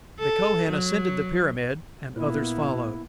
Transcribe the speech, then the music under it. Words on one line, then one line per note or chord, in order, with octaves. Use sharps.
The Kohen ascended the pyramid, and others followed.
A4
F#3
A#2 A#3 B3 E4